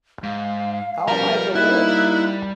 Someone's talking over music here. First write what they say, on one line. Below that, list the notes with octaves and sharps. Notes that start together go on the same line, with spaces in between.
How am I to live?
G#2 F5
B2 F3 G3 A#4
A#3 D#4 E4 F#6